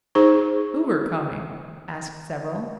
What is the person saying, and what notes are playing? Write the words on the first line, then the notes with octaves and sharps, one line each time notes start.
"Who are coming?" asked several.
D#4 G#4 C5 C#6